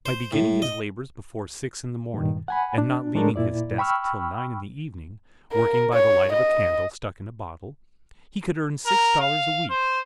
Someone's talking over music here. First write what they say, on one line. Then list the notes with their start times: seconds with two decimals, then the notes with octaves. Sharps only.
By beginning his labors before six in the morning, and not leaving his desk till nine in the evening, working by the light of a candle stuck in a bottle, he could earn six dollars a week.
0.06 C5
0.33 A2
0.62 D#5
2.14 G2 A#2 D#3
2.48 F#5 G#5 B5
2.78 D4
3.15 A2 G#3 A3 D4 A4 A#4
3.36 A#2 E4 D5
3.78 G5 B5 C#6 E6 F6
5.52 A#4
5.93 C#5
6.32 D#5
8.86 A#4
9.20 F5
9.70 C5